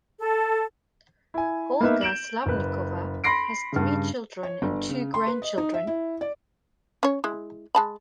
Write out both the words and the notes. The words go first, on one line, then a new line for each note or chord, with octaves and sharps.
Olga Slavnikova has three children and two grandchildren.
A4
E4 G#5
A#3 B3 D#4 B4 E5
G6 D7 E7 F#7
F#1 B4
B5 C6 A#6 C7 D7
G2 C#3
C#5
G1
C#3
C6
B4
D#5
D#4
E5
E4
D5
C#4 C#5
G#3 E4
G#3 A5 B5